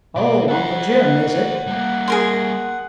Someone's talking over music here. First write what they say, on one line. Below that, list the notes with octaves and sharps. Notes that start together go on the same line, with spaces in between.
"Oh, Uncle Jim, is it?"
B2 D5 D6
A4 C5 F#5
G3 A#3
G#4 A#4 C6